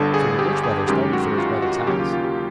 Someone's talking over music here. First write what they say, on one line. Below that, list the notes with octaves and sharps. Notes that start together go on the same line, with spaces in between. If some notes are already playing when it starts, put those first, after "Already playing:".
So the Rich Brother started for his brother's house.
Already playing: G1 G2 D3 A4
G#4
G4
G#4
F#2 D#3 G#3 C#4 G4
F#4
F4
F#4
D#2 C#3 F#3 A#3 C#4 G4
F4
F4
G4